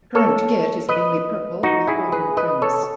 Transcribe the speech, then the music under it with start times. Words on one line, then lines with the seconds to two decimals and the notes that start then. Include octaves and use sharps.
The current kit is mainly purple with golden trims.
0.15 A4 C#5
0.89 B4 D#5
1.63 D#4 F#4
1.87 E4 G#4
2.12 G#4 B4
2.37 B4 D#5
2.62 A4 C#5